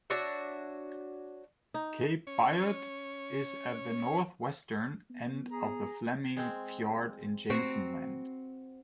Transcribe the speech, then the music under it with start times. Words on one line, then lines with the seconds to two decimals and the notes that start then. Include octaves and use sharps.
Cape Biot is at the northwestern end of the Fleming Fjord in Jameson Land.
0.10 D4 F#4 C#5 E5
1.74 D#4
2.27 C#4 C#5
5.10 B3
5.51 G#4 A#5
6.37 G#3 C4
7.50 C4 F#4 A#5